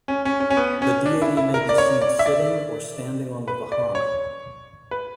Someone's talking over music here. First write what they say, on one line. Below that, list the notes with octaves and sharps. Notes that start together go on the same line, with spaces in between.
The deity may be seen sitting or standing on the vahana.
C#4
C#4
C#4
C#4
B3
C#4
D4
E4
E4
A#4
D5
C#5
D5
E5
D5
B4
D5
C#5
B4